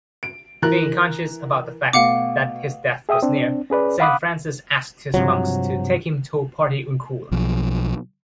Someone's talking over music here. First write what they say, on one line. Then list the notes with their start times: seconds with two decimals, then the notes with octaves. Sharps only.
Being conscious about the fact that his death was near, St Francis asked his monks to take him to Portiuncula.
0.23 D7
0.62 E3 A#4 F#6
1.93 B2 A3 F5 F#5 D6
3.09 G#4 E5 G5 D#6
3.22 C4 D4
3.70 C#4 G#4 B4 D5
4.00 F5 F#5 B5 D6 D#6 F#6
5.14 G2 C3 F3 F#3
7.31 B1 F3